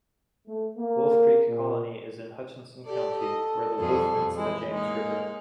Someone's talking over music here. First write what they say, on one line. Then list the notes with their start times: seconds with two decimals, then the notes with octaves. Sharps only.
Wolf Creek Colony is in Hutchinson County, where the Wolf meets the James River.
0.47 A3
0.77 A#3
1.47 A#2
2.86 G4 A4 D5
3.20 D#5
3.79 F2 G3 G#4
4.36 E3 G#3 E4
4.71 G#3 A#3 D#4